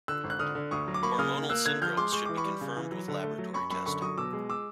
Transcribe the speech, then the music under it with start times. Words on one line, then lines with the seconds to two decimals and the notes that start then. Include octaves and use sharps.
Hormonal syndromes should be confirmed with laboratory testing.
0.08 D3 E6 F#6
0.24 G#1
0.30 F#6
0.39 D3 D#6 F6
0.55 D3
0.71 D2 C#6 D#6
0.87 F#3
0.94 D6
1.03 A#3 B5 C#6
1.18 C#3 D#6 F6
1.34 A#3
1.50 A#3 E6 F#6
1.66 D3 F#6 G#6
1.82 F3 F6 G6
1.97 G#3 C6 D6
2.12 G#3 C#6
2.26 E3 D6
2.37 B5 C#6
2.45 G3
2.61 C#3
2.77 E3
2.92 F#3
3.08 D3
3.23 A3
3.38 F#3
3.54 F#2 B5 C#6
3.70 F#2 B5 C#6
3.86 D3 B5 C#6
4.02 F#3 C#6 D#6
4.17 B2 D6 E6
4.33 G#3
4.50 D6 E6